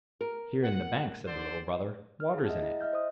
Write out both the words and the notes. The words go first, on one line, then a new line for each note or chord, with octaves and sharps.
"Here in the bank," said the little brother; "water's in it."
A#4
F#5
D3 C5 D5
F6
G#4
D#5 E5 F#5 A5
E4
D#5 E5 F6 G6
C5 D#6